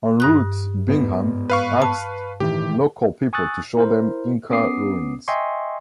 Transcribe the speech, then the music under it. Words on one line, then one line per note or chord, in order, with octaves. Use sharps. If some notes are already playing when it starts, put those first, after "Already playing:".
En route Bingham asked local people to show them Inca ruins.
G2 D#6 F#6
G#2 B3
B4 F5 C#6
A5
A2 D#3 E3 G4
G#5 C#6 D#6 E6 F#6 A6
E4 A#4 C5
B3 C#4 D6 D#6 C7
D#5 E5 G5 G#5 C6 C#6